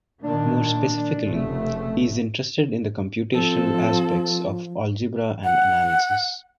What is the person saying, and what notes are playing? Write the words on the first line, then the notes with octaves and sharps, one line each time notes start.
More specifically, he is interested in the computational aspects of algebra and analysis.
A#2 D#3 A#3 D4
F1 C#3 A3
F3 C4 A4
F#5